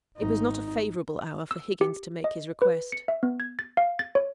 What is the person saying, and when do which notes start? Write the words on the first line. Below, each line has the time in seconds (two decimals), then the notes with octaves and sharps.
It was not a favourable hour for Higgins to make his request.
0.17 G#1 D#4
1.51 E6
1.81 G4
2.24 D#5
2.62 B4
2.92 C#7
3.08 E5
3.23 B3
3.40 G#6
3.59 A6
3.77 F5
3.99 A6
4.15 C#5